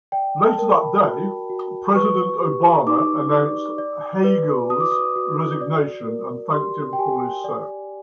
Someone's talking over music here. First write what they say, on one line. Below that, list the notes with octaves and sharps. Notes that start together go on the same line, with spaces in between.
Later that day, President Obama announced Hagel's resignation and thanked him for his service.
D5 G5
A5
A#4
B5
F#4
F#4
B4 C#6
G4
D#4 D6
D5
D5
B4
F#4 D#6
D6
D#6
F#4
D5
A#4
G4 C6
G5
G4 G#5
D5